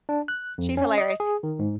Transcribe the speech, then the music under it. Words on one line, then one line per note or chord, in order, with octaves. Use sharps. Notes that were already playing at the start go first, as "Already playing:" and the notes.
she's hilarious,
D4
F#6
F2
C#4
D#5
G#4
D#3
G#2